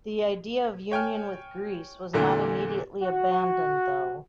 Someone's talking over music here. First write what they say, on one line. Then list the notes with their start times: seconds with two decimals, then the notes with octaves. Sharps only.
The idea of union with Greece was not immediately abandoned, though.
0.92 C#5 G5 G#5 F6
2.13 E2 A#2 D3 E3 A3
3.02 F#4